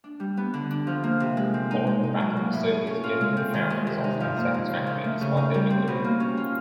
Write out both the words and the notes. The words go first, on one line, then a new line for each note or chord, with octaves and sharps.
Following the battle, the Soviets generally found the results unsatisfactory, despite their victory.
D4
G3
B3
D3
D4
F3
A#3
C3
G#3
C4
D#4
G#3
D#4
F#3
A#3
A2
G#4
C#4
F4
G#3
C4
D#3
G#3
C3
D#4
F3
A#3
A#2
C#3
F3
A3
C#3
D#4
G3
C4
B2
A#3
C#4
F4